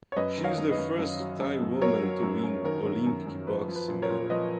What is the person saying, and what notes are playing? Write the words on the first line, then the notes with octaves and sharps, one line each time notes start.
She is the first Thai woman to win an Olympic boxing medal.
C#5
F#2 B4 D#5
D#3
C#5 F5
F#2
B4 D#5
F#2
F#2
F#3
F#2
F#2
F#3 A#4 C#5
F#3
F#2
F#2
D#3 A#4
F#2
F#2
F#2
F3 B4
F3
B4
A#2
A#4 C#5
A#2
F3 B4 D#5